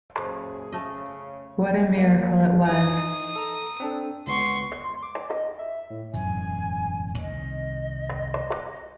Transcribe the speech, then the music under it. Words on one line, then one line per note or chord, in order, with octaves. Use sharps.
What a miracle it was!
F#2 A#2 C#3 G4 G#4 C5 A5
C#3 A3 D#5
G3 A#3
D#4 D#5 D#6
A4 A#5
C4 D4 A4
C#2 B3 C6 C#6
C6
D6
D#5
E5
A2
E1 F#2 A2 G#5
C2 D#3 D#5